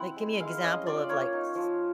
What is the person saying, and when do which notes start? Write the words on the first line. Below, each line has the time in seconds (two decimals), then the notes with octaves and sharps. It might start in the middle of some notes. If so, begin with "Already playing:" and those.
Like, give me an example of, like, s
Already playing: C4 E4 F#5
0.16 G#3
0.40 G#3 F5
0.63 C#4 D#5
0.86 F4 D5
1.09 A#3 C#5
1.33 D#4
1.55 F3